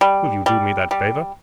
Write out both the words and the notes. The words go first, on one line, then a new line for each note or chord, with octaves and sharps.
Will you do me that favour?'
G3
G3
G3